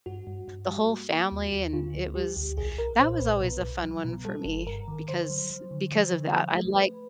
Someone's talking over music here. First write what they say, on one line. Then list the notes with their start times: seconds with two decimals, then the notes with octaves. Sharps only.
the whole family, and it was that was always a fun one for me because because of that, I'd like
0.06 G2 F#4
0.27 G2
0.48 G2
0.69 G3
0.90 A#3
1.11 A#3
1.32 D#2
1.53 D#2
1.73 D3 F4
1.95 D2
2.15 G3 G4
2.37 D2
2.57 B1 G#4
2.78 B1 A#4
2.99 A#2 C5
3.19 B1 B4
3.41 B2
3.62 B1
3.83 F#3
4.04 B2
4.24 G3 A4
4.45 G1
4.67 G2 A#4
4.88 D#3
5.08 D3 C5
5.30 F#3
5.50 F#3
5.71 D3
5.92 F3
6.13 D3
6.33 F3
6.55 A3
6.76 A3 B4